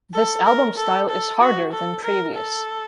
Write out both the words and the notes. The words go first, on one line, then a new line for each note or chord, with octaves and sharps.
This album style is harder than previous.
A4
A#4
A4
A4
F#4
A4
A#4
A4